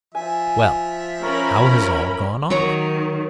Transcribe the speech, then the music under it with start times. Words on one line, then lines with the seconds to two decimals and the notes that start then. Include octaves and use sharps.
"Well, how has all gone off?"
0.15 F3 E5 G#5
1.23 C#4 A#4 B5 C#6
2.50 D#3 F#3 C#5 A#5